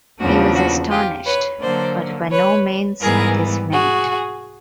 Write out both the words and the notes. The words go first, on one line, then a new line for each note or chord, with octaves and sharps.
He was astonished, but by no means dismayed.
E2 C#3 F3 A#3 D4 F#4
F#4
F4 G4
B4 C#5
D3 F#3 A#3 C5 D5
B4 C#5
G#2 E3 G3 B3 G#4 A#4
F#4 G#4